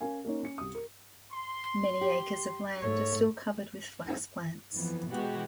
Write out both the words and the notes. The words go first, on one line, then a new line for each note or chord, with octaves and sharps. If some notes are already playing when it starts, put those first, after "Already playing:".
Many acres of land are still covered with flax plants.
C#4 A#4 F5 G#5
A#3 C#4 D#4 C#5
C#4 C#7
C2 D#6
A#4
C6
G4
G#2 A3 C#5
F2 E3 B3
B2 E3 G#3 F#4 G4